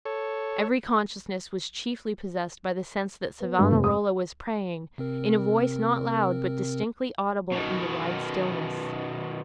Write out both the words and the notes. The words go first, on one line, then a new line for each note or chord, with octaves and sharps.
Every consciousness was chiefly possessed by the sense that Savonarola was praying, in a voice not loud, but distinctly audible in the wide stillness.
A4 C#5
B3
G2
F1
D#6
C3 C4 A#4
B2 D#3